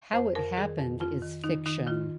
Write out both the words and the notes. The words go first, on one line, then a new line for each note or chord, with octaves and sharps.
How it happened is fiction.
F2 C5
F2 A#4
D#3 G#4
F2
F2 F4
D#3
D#3 D#4
D#3 D#4
D#3 F4